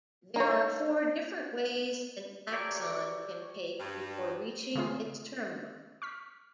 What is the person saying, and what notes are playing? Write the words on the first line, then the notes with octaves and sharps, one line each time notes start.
There are four different ways an axon can take before reaching its terminal.
D#4 C#5
F#4 G4 A4 A#4 C#5 D5
G2
C#3 E3 A3 F4 G#4
C#6 F6 B6